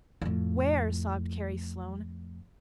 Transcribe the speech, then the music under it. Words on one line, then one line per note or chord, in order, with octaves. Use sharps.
"Where?" sobbed Carrie Sloane.
F2 A2